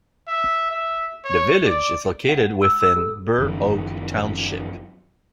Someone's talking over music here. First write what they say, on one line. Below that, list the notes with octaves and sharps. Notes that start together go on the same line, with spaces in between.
The village is located within Burr Oak Township.
E5
E5
C#5
D5
F#5
E6
E6
A4
F#1 F#2 D#3 F3